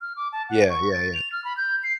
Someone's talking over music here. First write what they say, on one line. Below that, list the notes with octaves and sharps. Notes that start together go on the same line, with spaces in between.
Yeah, yeah, yeah.
F6
D6
A5
F#5
C#6
A6
F7
F6
B5
G6
C7